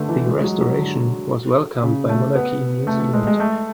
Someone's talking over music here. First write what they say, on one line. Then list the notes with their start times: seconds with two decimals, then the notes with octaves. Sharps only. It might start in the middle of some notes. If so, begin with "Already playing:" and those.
The restoration was welcomed by Monarchy New Zealand.
Already playing: D3 A3 B3
0.09 E3
0.26 G#3
0.38 G#3
0.44 F#3
0.61 F#3
0.79 D3
1.83 C#3
2.09 A3
2.35 B3
2.87 A3
3.00 A3
3.13 G#3
3.27 G#3
3.40 A3